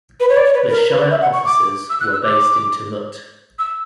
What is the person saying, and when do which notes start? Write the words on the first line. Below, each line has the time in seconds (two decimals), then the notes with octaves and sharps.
The shire offices were based in Tumut.
0.20 B4
0.29 C#5
0.37 D5
0.45 C#5
0.54 B4
0.70 A#4
0.88 B4
1.00 D5
1.11 E5
1.22 F#5
1.33 C#6
1.45 D6
1.90 E6
2.01 F#6
2.13 E6
2.23 D6
3.59 E6